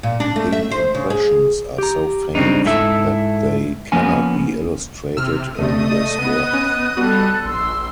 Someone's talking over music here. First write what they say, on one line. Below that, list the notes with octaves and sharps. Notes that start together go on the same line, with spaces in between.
The impressions are so faint that they cannot be illustrated in this work.
A#2
D4
A3
E5
C5
C#3
G#4
G4 A#5
C#3 G3 C4 D4 D#4
G#2 E4 A4 E5
F3 A#3 B3 C#4 G#5
C3 E6 F6
E2 C3 A3 D5 D#5 D#6
B3 F#6
C#4
G3 B3 F#4 A4 B5 F#6
A#1 C6 E6